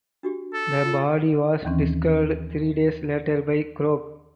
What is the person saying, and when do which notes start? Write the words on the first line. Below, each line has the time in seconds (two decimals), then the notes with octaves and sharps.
The body was discovered three days later by Krohg.
0.23 D4 F#4 G4
0.53 A4
0.85 F4
1.65 D#2 D#3 E3 C4 C#4